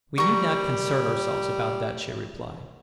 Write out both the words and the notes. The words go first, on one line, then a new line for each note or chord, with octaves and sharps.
"We need not concern ourselves about that," she replied.
G3 A#4 C#6